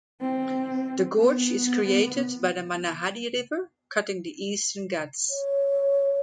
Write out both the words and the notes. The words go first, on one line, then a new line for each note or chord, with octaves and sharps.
The gorge is created by the Mahanadi river cutting the eastern Ghats.
C4
B3
C#5